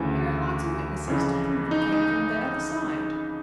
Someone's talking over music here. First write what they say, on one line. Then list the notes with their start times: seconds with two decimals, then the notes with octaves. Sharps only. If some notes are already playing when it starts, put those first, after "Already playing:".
"Here are lots of witnesses to prove it came from the other side."
Already playing: D2 C#3 E3
1.08 F2 C#3 E3
1.71 D#4
1.92 D#4